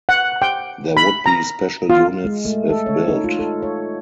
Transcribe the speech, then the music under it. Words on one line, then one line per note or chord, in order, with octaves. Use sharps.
There would be special units if built.
F#5
G5
B5
A#5
F4
G#3
A3
A4
C#5
D#4
F4
A4
C#5